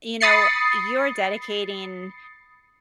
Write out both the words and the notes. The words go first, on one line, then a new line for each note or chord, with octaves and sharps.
you know, you're dedicating
B5 D#6 A6 C7 C#7